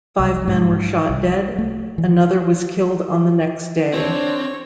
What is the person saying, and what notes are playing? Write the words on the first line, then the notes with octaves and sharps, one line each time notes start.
Five men were shot dead; another was killed on the next day.
C2
G#2
C2
A3
E3
C4 D4 C#5